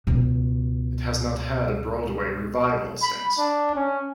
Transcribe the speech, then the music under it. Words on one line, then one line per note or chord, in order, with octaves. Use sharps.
It has not had a Broadway revival since.
C#2 B2
B5
D4
C#4